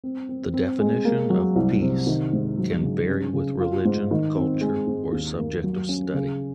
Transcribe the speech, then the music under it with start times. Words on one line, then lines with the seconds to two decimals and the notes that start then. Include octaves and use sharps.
The definition of "peace" can vary with religion, culture, or subject of study.
0.04 C4
0.29 C4
0.54 C4
0.80 G#3
1.05 A#3
1.30 F#3
1.55 C2
1.82 C3
2.07 D#3
2.33 G#2
2.58 F#3
2.83 C#3
3.09 C#4
3.34 C#3
3.60 F4
3.85 G#2
4.11 D#3
4.37 C4
4.61 G#3
4.87 G#2
5.12 D#2
5.39 A#3
5.64 F#3
5.89 C#4
6.14 C#3